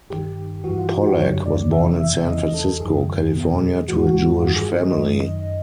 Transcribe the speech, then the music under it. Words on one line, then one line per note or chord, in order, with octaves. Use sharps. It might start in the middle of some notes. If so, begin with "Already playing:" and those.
Pollak was born in San Francisco, California, to a Jewish family.
G2 D#3 G4
G2 E3 F#4
F4
F#4
G4
F#2 D3 C#5
D5
E2 C3 E3 E5
E5
E2 C#3 E3 D#5
A4
F#2 D#3 G#4
E2 B2
G#2 E3 F#4
F#4
F#4
F4
G2 D#3 F#4
G#4
D#5
F#2 D#3